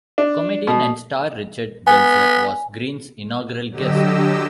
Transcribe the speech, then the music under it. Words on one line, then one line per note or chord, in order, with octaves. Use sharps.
Comedian and star Richard Belzer was Green's inaugural guest.
D4
B2
B3 G#5
D3 F#3 G4 D#5 E6